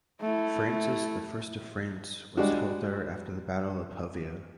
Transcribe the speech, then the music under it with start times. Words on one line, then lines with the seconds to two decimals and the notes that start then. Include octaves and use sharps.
Francis the First of France was held there after the Battle of Pavia.
0.22 A3 E4
2.37 G3 G#3 D4 F#4